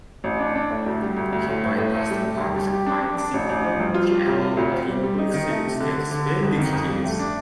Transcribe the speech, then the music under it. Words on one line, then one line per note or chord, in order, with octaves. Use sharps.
He bypassed public financing, which allowed him to exceed state spending limits.
A1
D4
D4
A2
D2
G3
D2
D2
A2
A2
A2
A3
G3
G3
D#2
G3
G4
D4
D4
D4
A1
A1
F3
G2
F4
G3
C3
F4
D2
C4
G3
G3
D#4
D#3
A3
C3
D3
D3
D3
D3
F2
D#3
F2
G3
A3
D4